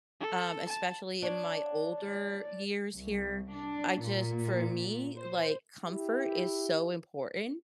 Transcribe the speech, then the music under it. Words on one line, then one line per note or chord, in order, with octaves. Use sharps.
um, especially in my older years here. I just for me, like, comfort is so important
A4
A5
D4 C#5
D5
C2
D4
A#2
C5
E4 G4